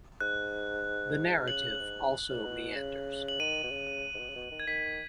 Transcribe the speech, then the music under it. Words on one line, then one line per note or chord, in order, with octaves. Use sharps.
The narrative also meanders.
G#2 F#6
C#3 F#7
G#2
F#2
G#2
B2
C#3
F#7
D#3 D#7
B2
C#3
G#2
B2
C#3
B2
D#3
G#6
D#3 B6